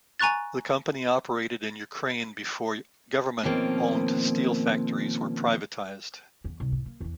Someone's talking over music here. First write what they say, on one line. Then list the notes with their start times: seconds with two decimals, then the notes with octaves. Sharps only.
The company operated in Ukraine before government-owned steel factories were privatized.
0.19 G#5 A#5 C#6 F#6 A6
3.43 B2 D#3 F3 A#3 C4 C#4
6.44 E2
6.60 C2
6.72 A2
6.86 A#3
7.00 E2 E3